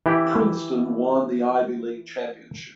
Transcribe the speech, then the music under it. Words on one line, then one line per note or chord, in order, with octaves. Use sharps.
Princeton won the Ivy League championship.
E3 E4 G4